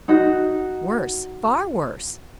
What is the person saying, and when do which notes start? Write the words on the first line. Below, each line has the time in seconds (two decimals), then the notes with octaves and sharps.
Worse; far worse!
0.08 D#4 F#4